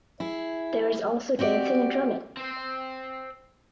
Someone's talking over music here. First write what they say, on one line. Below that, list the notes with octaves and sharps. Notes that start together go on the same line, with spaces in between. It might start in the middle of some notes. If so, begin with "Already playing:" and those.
There is also dancing and drumming.
E4 G#4
C4 F#4 G4 D5
C4 C5